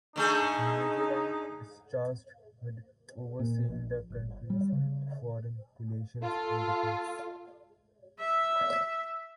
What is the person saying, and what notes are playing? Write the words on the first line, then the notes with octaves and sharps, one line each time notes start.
New Zealand is tasked with overseeing the country's foreign relations and defense.
D3 A3 D#4 G#4
A#2
A#1
G1
G3
C#3
F4 A4
E5